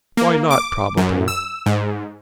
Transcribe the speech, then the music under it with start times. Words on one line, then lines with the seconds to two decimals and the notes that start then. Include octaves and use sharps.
"Why not probable?"
0.17 A#3
0.51 D6
0.97 F#2
1.28 E6
1.66 G#2